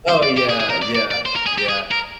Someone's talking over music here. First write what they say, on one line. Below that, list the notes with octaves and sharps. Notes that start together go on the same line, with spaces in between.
Oh, yeah, yeah, yeah.
C5
D5
G4
G#4
G#4
A#4
D5
D5
D5
C5
A#4
G#4
G4
G#4
A#4